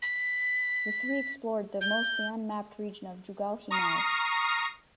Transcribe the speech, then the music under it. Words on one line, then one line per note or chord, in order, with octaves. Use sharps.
The three explored the mostly unmapped region of Jugal Himal.
B6
G6
A#5 C#6 D#6 F6 A#6 C7